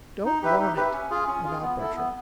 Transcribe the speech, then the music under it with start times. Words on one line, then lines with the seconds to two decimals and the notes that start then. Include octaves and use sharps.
"Don't want it," avowed Bertram.
0.25 D#4
0.42 G4 B4 E5
0.59 D#4
0.76 G4 B4 E5
0.93 C#4
1.10 F4 G#4
1.27 C#4
1.45 F4 G#4
1.61 B3
1.78 E4 A4
1.95 B3